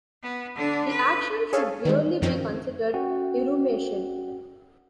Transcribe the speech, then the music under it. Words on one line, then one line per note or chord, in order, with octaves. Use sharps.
The action should really be considered "irrumation".
B3
D3 D4
B4
G#4 A4 C#5 F5
D#3 G3 G#3
F#2 D#3 F3 C4 C#4
C#4 F#4 F#5 G5